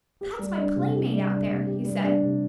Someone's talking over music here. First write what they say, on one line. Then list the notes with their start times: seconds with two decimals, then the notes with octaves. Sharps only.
"That is my playmate out there," he said.
0.21 G4
0.39 G3
0.57 D4
0.76 C3
0.94 G4
1.12 G3
1.30 D4
1.48 C3
1.66 G4
1.85 G3
2.03 D4
2.21 C3